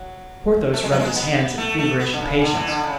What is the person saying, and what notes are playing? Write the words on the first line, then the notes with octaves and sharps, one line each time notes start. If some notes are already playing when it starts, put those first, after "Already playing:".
Porthos rubbed his hands in feverish impatience.
Already playing: F#3
A3
G#3
F#3
G#3
B3
A3
A3
B3
D3
C#3
D3
E3
D3
C#3